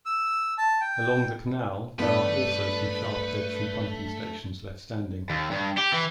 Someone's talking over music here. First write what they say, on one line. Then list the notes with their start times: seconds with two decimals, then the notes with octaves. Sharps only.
Along the canal there are also some shaft heads from pumping stations left standing.
0.06 E6
0.58 A5
0.81 G5
1.99 G2 A3 B3 D4 B4
5.30 D#2
5.52 G2
5.78 G4
5.93 E3